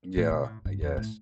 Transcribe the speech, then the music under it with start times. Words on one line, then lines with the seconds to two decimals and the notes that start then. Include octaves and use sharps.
Yeah, I guess.
0.17 A2
0.31 B2
0.44 A2
0.65 G2
0.81 E2
0.97 A2